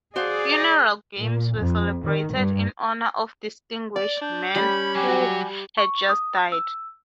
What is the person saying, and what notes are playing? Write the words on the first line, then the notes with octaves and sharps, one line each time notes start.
Funeral games were celebrated in honor of distinguished men who had just died.
F#4 G#4 C5 D5 F5
A#2
F2
D#3
G2
D5 D6
D4 G6
G3 C#4 B5
F#3 G4 G#5 D6
F#4
C#6
D#6
E6